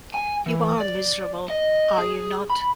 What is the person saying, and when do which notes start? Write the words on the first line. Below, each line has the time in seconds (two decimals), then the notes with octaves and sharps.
You are miserable, are you not?
0.14 G#5
0.46 E3
0.80 D5
1.48 D#5
1.98 G#4
2.50 B5